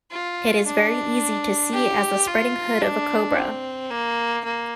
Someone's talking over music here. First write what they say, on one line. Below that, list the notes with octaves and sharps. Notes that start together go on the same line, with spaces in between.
It is very easy to see as the spreading hood of a cobra.
F4
D4
G4
F4
D4
C4
A#3
A#3